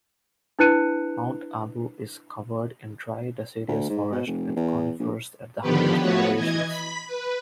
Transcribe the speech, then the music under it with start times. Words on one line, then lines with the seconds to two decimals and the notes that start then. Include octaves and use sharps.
Mount Abu is covered in dry deciduous forest with conifers at the highest elevations.
0.59 D4 E4 B4 F#6 C#7 D#7
3.68 D2
3.90 G#2
4.12 B2
4.27 F1
4.56 E2
4.99 A#1
5.61 D3 D#3 F3 B3 G4 B4
5.98 F3 A3 B3 F#4 B4 C#5
6.35 E3 D#5 G#6
6.68 B5 B6
7.07 B4